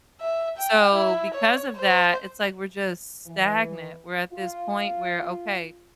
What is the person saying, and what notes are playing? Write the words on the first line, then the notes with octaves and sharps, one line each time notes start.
So, because of that, it's like we're just stagnant, we're at this point where, okay,
E5
G5
E4
C#5
C5
E3
F4